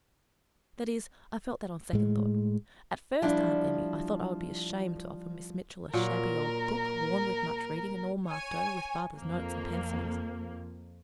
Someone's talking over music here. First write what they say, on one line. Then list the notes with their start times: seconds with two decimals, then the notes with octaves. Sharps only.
That is, I felt that on second thought. At first, Aunt Emmy, I thought I would be ashamed to offer Miss Mitchell a shabby old book, worn with much reading and all marked over with father's notes and pencillings.
1.93 A2 G#3
3.22 F3 G3 D4 E4
5.94 A#2 F#3 A#4
8.28 C#5 G#5
9.18 F2 F3 A#3